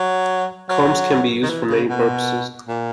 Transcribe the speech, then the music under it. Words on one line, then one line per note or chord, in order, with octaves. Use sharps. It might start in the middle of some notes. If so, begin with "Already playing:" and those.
Combs can be used for many purposes.
Already playing: F#3
F#3
D#3
E3
C#3
B2
A#2